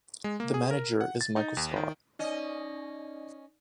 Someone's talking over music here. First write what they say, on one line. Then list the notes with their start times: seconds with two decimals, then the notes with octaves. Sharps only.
The manager is Michael Scott.
0.24 G#3
0.40 A#3
0.54 G#4
0.71 A#4
1.01 F#5
1.21 A6
1.36 D#4
1.57 D#2
1.76 D#3
2.19 C#4 D#4 D5 D#5 A#6